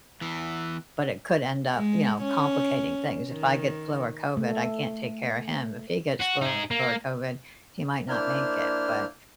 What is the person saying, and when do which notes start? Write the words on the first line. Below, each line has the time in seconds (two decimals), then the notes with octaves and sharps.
but it could end up, you know, complicating things. If I get flu or COVID, I can't take care of him. If he gets flu or COVID, he might not make it," but
0.21 E2 E3
1.74 G#3
2.22 C#4
3.30 D#3
4.37 A3
6.21 F#4
6.42 D#4 G#4
6.71 A#3
8.09 A#3 D4 E4 C5 F6